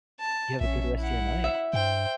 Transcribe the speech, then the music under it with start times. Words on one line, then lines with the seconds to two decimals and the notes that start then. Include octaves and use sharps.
You have a good rest of your night.
0.20 A5
0.61 A#1 C#4 E5
0.98 E4 F#5
1.44 E5
1.73 G2 C5 G5